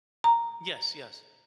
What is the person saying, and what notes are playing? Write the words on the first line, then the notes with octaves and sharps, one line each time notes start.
Yes. Yes.
A#5